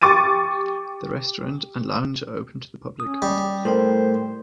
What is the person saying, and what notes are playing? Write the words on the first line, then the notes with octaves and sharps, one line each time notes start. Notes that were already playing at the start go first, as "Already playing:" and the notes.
The restaurant and lounge are open to the public.
G4 C#6 D6 A6 D#7
C#4 D#6
G3
A2 A4 A#4 C5 G5